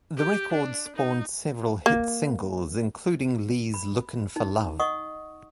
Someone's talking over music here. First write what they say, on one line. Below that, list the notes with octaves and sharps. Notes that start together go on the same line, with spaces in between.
The record spawned several hit singles, including Lee's Lookin' for Love.
G4
D4
D#4
A#3
B5
D#4
D#5 F#5 C#6 D#6